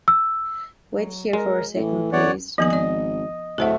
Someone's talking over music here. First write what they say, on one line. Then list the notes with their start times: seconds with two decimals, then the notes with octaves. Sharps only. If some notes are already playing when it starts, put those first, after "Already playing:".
Wait here for a second, please.
0.08 E6
0.88 F#3
1.33 G#3 A#4
1.75 A2 E3
2.13 E2 C#5 D5 F#5
2.58 D#2 F3 B3 D#5 G#5
2.70 G#1 D5 G#5
3.58 D1 A2 A3 A4 C5 E5 F#5